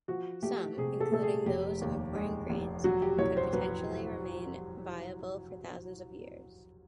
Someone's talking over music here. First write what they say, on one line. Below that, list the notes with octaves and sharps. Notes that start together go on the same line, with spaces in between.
Some, including those of important grains, could potentially remain viable for thousands of years.
F3 F#4
A3 G4
C3 G#4
A4
A3 A4
G#4
F1 G4
D#2
G#3
F1
F#3 F#4
G4
C2 C#5
C5
F#3 B4